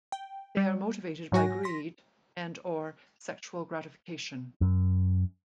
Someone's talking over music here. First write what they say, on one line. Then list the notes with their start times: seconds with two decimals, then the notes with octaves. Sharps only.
They are motivated by greed and or sexual gratification.
0.12 G5
0.57 G3
1.32 G#2 F#3 F#4 G#5 A#6
1.63 C6 A#6 B6
4.61 F#2